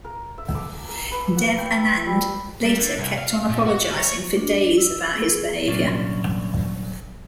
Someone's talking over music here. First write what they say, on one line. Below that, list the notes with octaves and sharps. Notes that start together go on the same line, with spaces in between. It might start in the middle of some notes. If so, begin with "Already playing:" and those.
Dev Anand later kept on apologising for days about his behaviour.
A#4
E5
D6
A#4
B4
F#5
G5
E6
G3
G3
D3
C2
F5
A#2
F#4
D3
C#5
D4
E6
G#4
C2 A#2 F#3 C#4 D4 D5